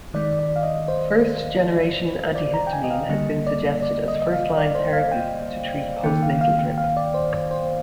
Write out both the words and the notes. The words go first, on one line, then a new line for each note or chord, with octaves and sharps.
First-generation antihistamine has been suggested as first-line therapy to treat post-nasal drip.
D#3 G#3 D5
D5
F5
D#5
C5
D5
A#5
G5
G#5
D#5
F5
D3 G3 A#3 D#5
D5
D5
D#5
D#5
F5
D5
C5
F5
G5
D#3 A#3 G5
F5
F5
F5
F5
D5
C5
C5
C5